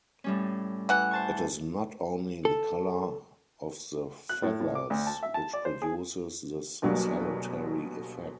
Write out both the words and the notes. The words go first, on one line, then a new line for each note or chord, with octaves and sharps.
It is not only the color of the feathers which produces this salutary effect.
A2 G3 C#4
E3 F#5
C5 A5 C#6
A4
F#6
A2
A2
D6
D2
A5
E5
A5
D5
C5
G#4
D2 B2 F#3 G3 A#3